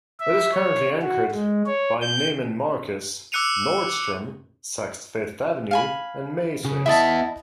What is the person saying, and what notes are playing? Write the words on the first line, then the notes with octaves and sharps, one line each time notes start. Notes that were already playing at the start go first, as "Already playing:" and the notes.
It is currently anchored by Neiman Marcus, Nordstrom, Saks Fifth Avenue, and Macy's.
E5
C#5
F#4
G#3
C#5
G6
D6 E6 F#6 C#7 D#7 F7
F5 G#5 B5
C#3
B3 E4 D#5 E5 A5